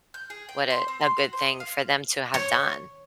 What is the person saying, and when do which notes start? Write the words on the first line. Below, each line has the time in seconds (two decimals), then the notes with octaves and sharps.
What a a good thing for them to have done."
0.14 G6
0.30 G#4
0.49 G5
0.70 C5
0.88 C4
1.01 C6
1.18 F#4
1.33 C5
1.49 D#5
1.60 F5
2.34 C#5